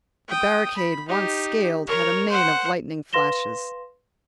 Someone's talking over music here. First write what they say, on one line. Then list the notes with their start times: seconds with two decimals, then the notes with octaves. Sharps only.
The barricade once scaled had a mane of lightning flashes.
0.29 G5 D#6
0.77 B5
1.08 D#4 G4
1.87 A#4 C#5
2.30 C5 F#5
3.13 B4 F5 C6 A#6 E7 G7